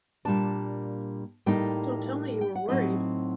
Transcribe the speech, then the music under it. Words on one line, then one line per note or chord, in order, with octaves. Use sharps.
Don't tell me you were worried!
A#2 G3 A#3 D4 A5
A2 G3 A#3 D#4 G5
G5
F#5
A2 F#3 C4 D#4 D#5